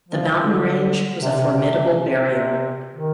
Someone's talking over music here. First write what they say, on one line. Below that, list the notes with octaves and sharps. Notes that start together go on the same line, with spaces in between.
The mountain range was a formidable barrier.
F3
D3
C3
C3
C3
C3
C3
D#3